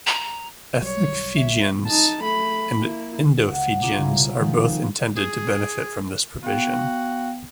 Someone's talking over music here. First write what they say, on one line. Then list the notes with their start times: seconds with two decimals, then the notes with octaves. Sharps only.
Ethnic Fijians and Indo-Fijians are both intended to benefit from this provision.
0.07 A#5
0.82 B1 F#3 G3 C#5
1.36 E5
1.87 D#4 A5
2.24 A3 B5
2.79 A#3 E4
3.47 C#2 F#5
3.82 F4 G#4 A#5 D6
3.97 C2 C#3 G#6
4.19 B2
4.39 D#3 F3 G#3 D#4
4.66 C4
5.17 G#4
6.43 B3 F#4 F5 G5